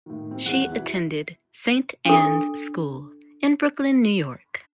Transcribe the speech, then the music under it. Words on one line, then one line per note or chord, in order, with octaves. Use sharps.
She attended Saint Ann's School, in Brooklyn, New York.
A2 D#3
C4
D#1 E2 F#5 F#6
B2 E4
D4 A4